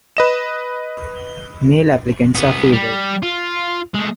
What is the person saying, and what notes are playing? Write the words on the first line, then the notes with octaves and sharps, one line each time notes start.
Male applicants are favored.
B4 D#5 E7
C2 B3
G3
F4
G#3 A3